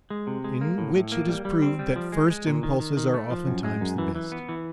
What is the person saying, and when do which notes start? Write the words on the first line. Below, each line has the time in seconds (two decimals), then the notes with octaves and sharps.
In which it is proved that first Impulses are oftentimes the best.
0.10 G#3
0.27 C3
0.44 G#3
0.61 A#3
0.78 A2
0.95 A2
1.12 A#3
1.28 G3
1.45 G3
1.62 C4
1.79 G3
1.96 F3
2.12 G#3
2.30 G#3
2.47 A#2
2.63 D#3
2.80 D#3
2.97 D#3
3.14 A3
3.31 F3
3.47 F#2
3.65 G#3
3.81 F#2
3.98 E3
4.15 E3
4.32 B3
4.49 E3